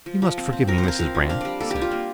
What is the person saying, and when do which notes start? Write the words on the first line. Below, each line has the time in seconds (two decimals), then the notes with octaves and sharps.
"You must forgive me, Mrs. Brand," he said.
0.06 F3
0.22 F3
0.38 C4
0.53 C4
0.67 F3 A#4
0.78 C5
0.83 C4 A#4
0.99 F3 F5
1.15 F3
1.30 D4 F5
1.41 G3 D5
1.60 A#3 A4
1.71 G3 G4
1.81 F4
1.91 A#3